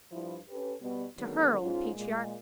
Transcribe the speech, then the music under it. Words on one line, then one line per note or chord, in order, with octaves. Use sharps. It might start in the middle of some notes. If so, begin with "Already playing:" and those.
To her, old patriarch!
G2 F3 G3 E4
C#4 G4 A4 B4
B2 G3 B3
D3 D#3 F#3 G#3 A#3 B3
G#2 C#4 F4
A#2 G#3